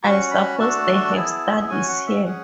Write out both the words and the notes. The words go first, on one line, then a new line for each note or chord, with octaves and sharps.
I suppose they have studies here.
C#4 F#4 C#6
B5
A3 D4 F#4 A5
B3 E4 G#4
C#4 F#4 G#5
F#5
E5
C#4 G#4 F#5